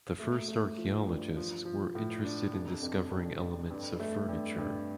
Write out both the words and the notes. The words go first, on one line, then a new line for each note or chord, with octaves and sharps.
The first archaeologists were interested in discovering elements of furniture.
A3
A3
F3
G2
F3
F3
A2
D4
F1
F2
F2
F2
G2
A3
G2
G2